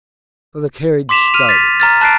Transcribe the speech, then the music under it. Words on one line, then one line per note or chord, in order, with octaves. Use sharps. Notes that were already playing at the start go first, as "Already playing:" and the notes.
The carriage started.
C6 D6 B6 E7 F7
F6 B6 D#7 F7
A6 B6
A#5 F6 A6
A5 F#6 A6 C7 D7